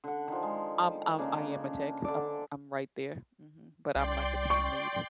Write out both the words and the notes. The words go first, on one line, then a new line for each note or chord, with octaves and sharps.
um um, I am a tech, I'm I'm right there, mhm, but I'm like a team lead,
D3 F#5
D#3 F3
G#3
C#3 A#3 D4
D3 A4 D5
C2 D5 G5 C6
C#6